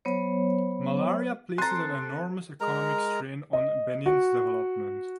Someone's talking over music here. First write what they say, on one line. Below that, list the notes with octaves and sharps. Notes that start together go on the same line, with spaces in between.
Malaria places an enormous economic strain on Benin’s development.
F#3 B3 C5 C#5
C4 A4 G#5 A#5 C6 F#6 A6
G#3 A#4 A#5
D#5
F#4